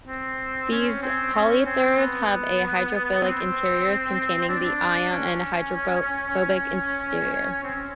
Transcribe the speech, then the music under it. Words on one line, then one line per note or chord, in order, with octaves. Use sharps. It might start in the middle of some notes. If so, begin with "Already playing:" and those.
These polyethers have a hydrophilic "interiors" containing the ion and a hydrophobic exterior.
C4
C#4
C4
C#4
C4
B3
C4
D4
C#4
C4
C#4